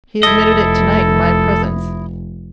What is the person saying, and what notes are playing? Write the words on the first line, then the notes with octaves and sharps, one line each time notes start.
He admitted it tonight in my presence.
F1 E4 A4 D#5